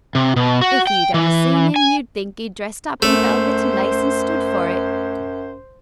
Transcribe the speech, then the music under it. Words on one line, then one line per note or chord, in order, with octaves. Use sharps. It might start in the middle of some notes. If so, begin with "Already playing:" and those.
If you'd ever seen 'im, you'd think 'e'd dressed up in velvet and lace and stood for it.
C3
B2
F#4
G5
E3
G#5
F#2 A3 C5